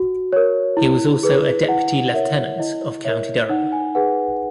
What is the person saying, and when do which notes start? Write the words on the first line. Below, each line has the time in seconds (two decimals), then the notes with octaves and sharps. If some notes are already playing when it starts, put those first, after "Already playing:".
He was also a Deputy Lieutenant of County Durham.
Already playing: F#4
0.33 A#4 C#5
0.77 E4
1.23 G#4 B4
1.68 E4 F#5
2.14 A#4 C#5 E5
2.59 E4 D#5
3.05 A#4 C#5 E5
3.49 D#4 F#5
3.72 G#5
3.95 G#4 B4 F#5